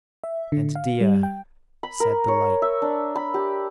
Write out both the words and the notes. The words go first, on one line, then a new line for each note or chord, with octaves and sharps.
And Dea! said the light.
E5
D3
F5
G3
G5
B5
A#4
C#5
E5
D4
B5
G4